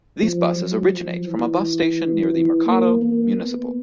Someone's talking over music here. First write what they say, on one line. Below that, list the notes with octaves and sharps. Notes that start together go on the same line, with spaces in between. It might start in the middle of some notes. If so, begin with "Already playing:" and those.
These buses originate from a bus station near the Mercado Municipal.
F3
F#3
F3
E3
E3
A#3
A#3
B3